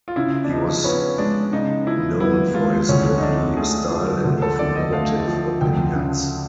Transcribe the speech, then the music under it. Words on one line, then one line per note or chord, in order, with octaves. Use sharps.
He was known for his lively style and often negative opinions.
F4
C#3 E4
D4
F3 D#4
B3 C#4
G#3 D4
C#3 D#4
F3 E4
B3 E4
G#3 F4
D2 C#4
D#4
D3 D4
A3 G#4
F3
D2
A4
D3 D5
D#5
A3 F5
F3
D2 G5
C#3